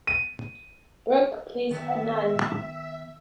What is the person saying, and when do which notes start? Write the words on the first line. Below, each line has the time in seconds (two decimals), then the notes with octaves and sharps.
Burke plays a nun.
0.07 D#7
1.71 D#3 B3 B4 E5